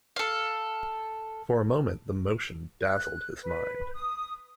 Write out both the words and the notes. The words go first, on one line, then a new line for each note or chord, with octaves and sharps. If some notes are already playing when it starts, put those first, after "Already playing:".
For a moment, the motion dazzled his mind.
A4 F5
F#6
B4
D#6